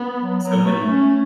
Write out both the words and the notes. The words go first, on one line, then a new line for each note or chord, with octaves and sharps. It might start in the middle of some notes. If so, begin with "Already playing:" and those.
so many
Already playing: B3
F#3
F#3
A3
A3 C#4